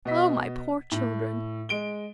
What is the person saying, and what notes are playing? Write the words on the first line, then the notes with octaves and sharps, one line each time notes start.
O my poor children!
B2 D#5 B6
A2
G#3 D7 G7